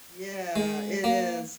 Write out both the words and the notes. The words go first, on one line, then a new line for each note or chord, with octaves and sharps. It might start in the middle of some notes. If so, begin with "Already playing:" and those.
Yeah, it is.
G#3
A#3